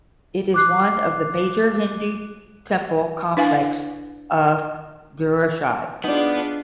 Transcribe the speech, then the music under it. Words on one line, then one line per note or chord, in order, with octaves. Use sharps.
It is one of the major Hindu Temple complex of Gujarat.
D6 F#6 C7
D4 E4 B4 F5 G#5
B3 D4 D#4 F4 G#4 D5